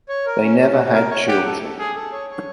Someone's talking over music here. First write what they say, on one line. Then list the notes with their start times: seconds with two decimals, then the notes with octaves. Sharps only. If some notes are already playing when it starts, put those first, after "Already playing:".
They never had children.
0.09 C#5
0.26 A#4
0.43 C#4
0.59 C#4
0.77 F#4
0.93 A#4
1.10 C#5
1.28 G4 F#5
1.45 A4
1.62 A4
1.78 G#4 A4
1.95 A4
2.12 C#5
2.30 C#5